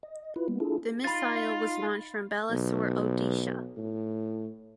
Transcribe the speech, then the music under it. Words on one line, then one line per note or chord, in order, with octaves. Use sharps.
The missile was launched from Balasore, Odisha.
D#5
E4 F4 B4
G3 A#3 B3
D4 E4 F4 G#4 A4
D#4 F4 B5 A6
B1
A2